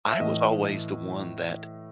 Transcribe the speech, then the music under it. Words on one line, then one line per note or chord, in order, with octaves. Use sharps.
I was always the one that
E5
A2 E3 A3 D#5